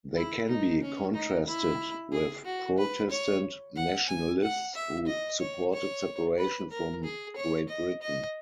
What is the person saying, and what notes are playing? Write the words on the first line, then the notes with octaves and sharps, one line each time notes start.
They can be contrasted with Protestant nationalists, who supported separation from Great Britain.
E4
D#4
C#4
D#4
E4
G#4
F#4
B4
C#5
F#5
G#5
F#5
E5
D#5
C#5
C#5
B4
A#4
G#4
C#5
D#5
D#5